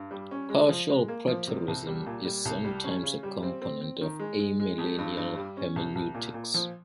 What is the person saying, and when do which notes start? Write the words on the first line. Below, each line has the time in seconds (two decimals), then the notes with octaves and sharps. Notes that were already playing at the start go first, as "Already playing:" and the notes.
Partial preterism is sometimes a component of amillennial hermeneutics.
Already playing: G2
0.11 G3
0.31 C#4
0.50 G#3
0.69 F3
0.90 G#3
1.08 A#3
1.28 F3
1.47 C3
1.68 C2
1.87 G3
2.06 A#2
2.25 G3
2.45 C2
2.65 G3
2.84 C#4
3.04 C#3
3.23 G3
3.43 C4
3.62 C4
3.81 C4
4.01 D#3
4.20 G#3
4.40 G#3
4.60 G#3
4.78 F2
4.98 G2
5.17 G2
5.36 G3
5.57 C#4
5.76 C2
5.95 C2
6.14 A#2
6.34 A#2
6.54 F3